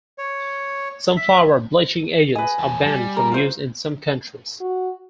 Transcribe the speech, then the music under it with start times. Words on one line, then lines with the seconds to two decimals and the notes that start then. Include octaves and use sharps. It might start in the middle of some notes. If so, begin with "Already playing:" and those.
Some flour bleaching agents are banned from use in some countries.
0.18 C#5
1.17 E5
2.35 B4 D#5 G#5
2.59 E2 A5
2.86 G3
3.17 A#4
3.32 F4 C5
4.61 F#4